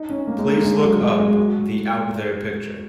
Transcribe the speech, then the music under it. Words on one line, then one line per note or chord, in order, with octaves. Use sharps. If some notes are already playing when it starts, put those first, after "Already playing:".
Please look up the Out There picture.
Already playing: D#4
C#4
A#3
G#3
A#3
G#3
F#3
G#3
G#3
F#4